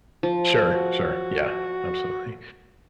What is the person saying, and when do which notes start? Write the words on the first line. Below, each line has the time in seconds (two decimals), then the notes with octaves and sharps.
Sure, sure, yeah, absolutely.
0.23 F3
0.75 F#4